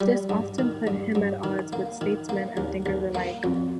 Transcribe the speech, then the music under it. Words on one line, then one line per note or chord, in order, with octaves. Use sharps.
This often put him at odds with statesmen and thinkers alike.
G3
G2
D#3
G2
G2
D#3
A#3
D#3
A#3
D#2
D#2
A#3
F2